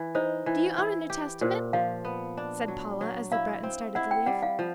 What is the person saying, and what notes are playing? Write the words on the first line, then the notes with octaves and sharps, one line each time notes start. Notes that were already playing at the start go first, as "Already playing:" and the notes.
"Do you own a New Testament?" said Paula as the Breton started to leave.
Already playing: E3
D#4 C5
E3
E4
G4
A#2 C5
F3 F5
B3
D4
F#3
F#3
E4 F5
C4
E4 F#5
G5
G3 F#5
F5
F3